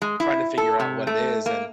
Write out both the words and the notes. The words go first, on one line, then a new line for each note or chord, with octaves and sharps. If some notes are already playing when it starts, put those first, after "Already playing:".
trying to figure out what it is, and,
G#3
E4
A4
C3
A3
A#3